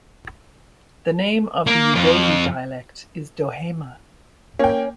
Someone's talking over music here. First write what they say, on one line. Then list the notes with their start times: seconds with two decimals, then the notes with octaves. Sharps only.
The name of the Eudeve dialect is "Dohema".
1.67 A#3
1.94 F2 F4
4.59 A#3 C#4 G5